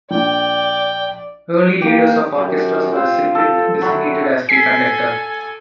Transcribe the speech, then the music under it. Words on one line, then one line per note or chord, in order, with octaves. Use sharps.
Early leaders of orchestras were simply designated as the conductor.
A#1 D5 G5
A#3 G4
F#2
C4 F4 C5
A4
F#3 E4
A4 G#5 B6 C7